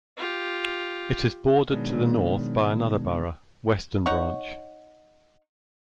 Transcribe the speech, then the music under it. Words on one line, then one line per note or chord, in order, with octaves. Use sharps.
It is bordered to the north by another borough, Western Branch.
F4 G4
B2 D#3 F#3 G#3 D4
D#4 C#5 F#5 C#6